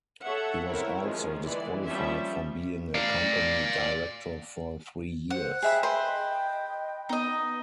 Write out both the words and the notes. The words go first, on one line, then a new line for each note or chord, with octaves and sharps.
He was also disqualified from being a company director for three years.
A4 C#5 E5 F#5
C4 E4 A#4 C#5
D#3 F3 G#3
E3 G#3 D5
F3 G3 C#4 E5
D5 F5
C5 F#5
G#4 D#5 E5 G5 B5
B4 C5
B3 D#4 D#5